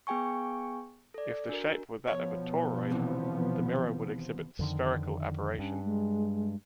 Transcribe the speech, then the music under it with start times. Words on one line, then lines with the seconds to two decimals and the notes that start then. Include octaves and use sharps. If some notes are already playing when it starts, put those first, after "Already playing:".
If the shape were that of a toroid, the mirror would exhibit spherical aberration.
0.07 B3 G#4 G5 G#5 C#6
1.14 A4 D5
1.49 D4 F#4 A#4
2.07 B2 F3 B3 C#5
2.90 D#2 C3 E3
4.59 F2 D3 D#3
5.59 G2 C#4
5.84 G#3